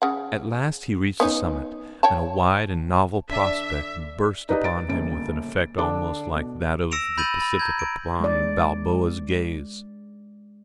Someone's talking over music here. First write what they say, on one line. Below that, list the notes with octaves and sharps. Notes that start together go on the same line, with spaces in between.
At last he reached the summit, and a wide and novel prospect burst upon him with an effect almost like that of the Pacific upon Balboa's gaze.
C#3 F#5
B3 C#4 D#4
C#5 G5 A5
D3 D4 E5
D#4 G4 B4 D5 D#5 A#5
A6 D7
G1 C#2 A#2 D7
D3 D4 A4 D6
B2
E6 A#6 C#7 D7 E7 F7
B5 G6 A6 D#7 F#7
B5 A6
A#5 G6 G#6
D7
G#3 D5